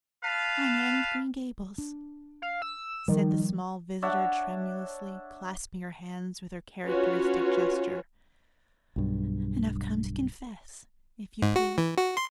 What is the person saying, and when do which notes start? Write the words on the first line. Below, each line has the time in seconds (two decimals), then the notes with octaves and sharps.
"I'm Anne of Green Gables," said the small visitor tremulously, clasping her hands with her characteristic gesture, "and I've come to confess, if you please."
0.24 B4 F5 A5
1.78 D4
2.42 F5
2.62 E6
3.08 D#3 F3 G3
4.02 D4 C#5 E5 F#5
6.86 C#4 F4 F#4 B4 C#5
8.96 B1 G2
11.42 G#2
11.56 F#4
11.78 E3
11.97 F#4
12.17 C6